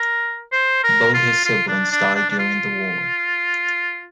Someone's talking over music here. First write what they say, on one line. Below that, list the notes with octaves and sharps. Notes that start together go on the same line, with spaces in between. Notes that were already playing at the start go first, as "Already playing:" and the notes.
Both his siblings died during the war.
Already playing: A#4
C5
A#4
F4
F4
D4
D4
D4
D4
F4